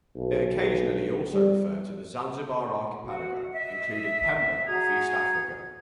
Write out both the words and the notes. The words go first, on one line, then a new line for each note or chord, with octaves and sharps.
It occasionally also referred to the Zanzibar Archipelago including Pemba off East Africa.
B1
G3
F#4
D#5 E5
F#4 G#4 A#5 G#6